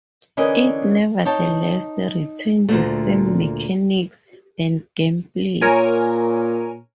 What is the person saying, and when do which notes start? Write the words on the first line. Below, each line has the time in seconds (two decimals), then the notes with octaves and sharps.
It nevertheless retained the same mechanics and gameplay.
0.37 D3 E3 C#4 G#4 A#4 D#5
1.25 D#4 C#5 G5 A5
2.69 D2 A#2 A3
5.61 A#2 A#4 C#5 G#5